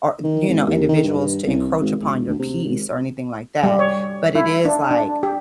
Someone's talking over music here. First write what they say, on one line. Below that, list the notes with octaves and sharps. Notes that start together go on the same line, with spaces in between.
or you know, individuals to encroach upon your peace, or anything like that, but it is, like,
D#3
G#1
D#2
D#3
G2
C2
G#1
E1
D2
C3
G#1
G3
C#5
E4
D4
D4
G4